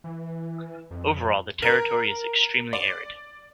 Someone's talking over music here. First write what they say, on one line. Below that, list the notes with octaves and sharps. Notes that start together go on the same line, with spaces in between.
Overall, the territory is extremely arid.
E3
F2
A#4
D5